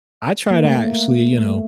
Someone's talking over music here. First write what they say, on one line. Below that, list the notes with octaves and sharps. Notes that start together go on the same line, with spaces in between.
I try to actually, you know,
A#3
A3
A#3
A3